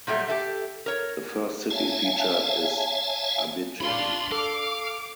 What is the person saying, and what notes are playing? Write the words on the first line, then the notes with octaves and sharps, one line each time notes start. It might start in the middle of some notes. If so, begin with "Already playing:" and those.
The first city featured is Abidjan.
A#2 F#3 G3 A3
G4 A4 E5
A#4 C#5
C#5 E5 F5 G#5 A5
D4 F4 B5 C6
A4 F5 D6